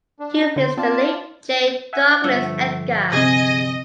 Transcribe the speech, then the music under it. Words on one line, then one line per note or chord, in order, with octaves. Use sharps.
He replaced the late J. Douglas Edgar.
D4
D3 C5
C4 F4 D5 A5
E5 F#5 G#5
G2 D3 F3 A3
C3 C4 G#4 D#5